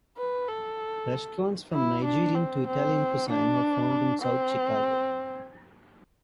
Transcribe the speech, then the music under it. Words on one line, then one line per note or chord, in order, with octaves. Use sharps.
Restaurants from Nigerian to Italian cuisine are found in South Chicago.
B4
A4
E4
D4
C4
C4
D4
C4